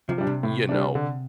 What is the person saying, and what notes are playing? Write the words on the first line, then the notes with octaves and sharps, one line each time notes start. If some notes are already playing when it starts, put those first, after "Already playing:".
you know,
C3 F3
G3 D4
C3
A2
G3 D4
D3